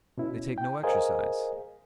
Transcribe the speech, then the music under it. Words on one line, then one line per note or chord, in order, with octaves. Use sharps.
They take no exercise.
B2 C#4 E4
G5
G#4 A#4 C5 D#5 F5 G#5